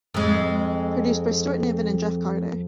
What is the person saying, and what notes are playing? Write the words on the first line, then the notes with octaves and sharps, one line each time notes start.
Produced by Stuart Niven and Jef Carter.
F2 G#3